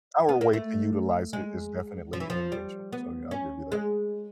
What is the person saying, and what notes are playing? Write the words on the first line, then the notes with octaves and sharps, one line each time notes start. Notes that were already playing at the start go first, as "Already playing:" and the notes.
Our way to utilize it is definitely an invention, so, yeah, I'll give you that.
B3
A#3
A3
G#3
F3
E3
F3
G3
B3
C#4
G#3